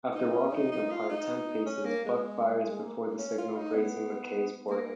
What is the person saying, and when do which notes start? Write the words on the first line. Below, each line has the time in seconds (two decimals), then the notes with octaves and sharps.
After walking apart ten paces, Buck fires before the signal, grazing McKay's forehead.
0.15 D#4
0.34 C#4
0.53 D#4
0.72 D#4
0.91 F4
1.09 D#4
1.66 C#4
1.85 A#3
2.05 G#3
2.70 G#3
2.80 A#3
3.19 C#4
3.38 F4
3.56 D#4
3.75 B3
4.70 A#3